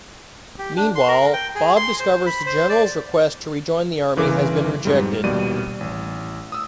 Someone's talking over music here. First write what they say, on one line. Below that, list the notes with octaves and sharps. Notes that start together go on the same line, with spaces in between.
Meanwhile, Bob discovers the General's request to rejoin the army has been rejected.
G4
D4
C6
A#4
G5
G#4
C6
C5
B5
C5
D5
G1 C#3 E3 A#4 D6
F2 G#2 G3
A#1 D#2 B2 G3 D5 D#7
A1
D#6 E6